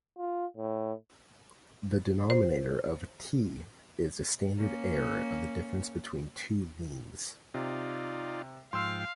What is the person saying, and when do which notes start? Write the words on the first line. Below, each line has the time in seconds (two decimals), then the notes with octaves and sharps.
The denominator of "t" is the standard error of the difference between two means.
0.18 F4
0.57 A2
2.30 C5
4.56 A#3 C#4
7.54 C3 D#4 F4 D5
8.73 G#2 F3 F5 G5 C6 E6